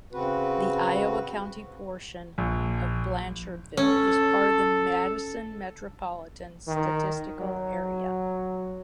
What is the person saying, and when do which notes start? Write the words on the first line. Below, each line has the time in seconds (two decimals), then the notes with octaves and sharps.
The Iowa County portion of Blanchardville is part of the Madison Metropolitan Statistical Area.
0.13 C#3 C4 F#4 B4
2.38 A#1
3.77 C#4 A4
6.68 D#3
7.40 F#3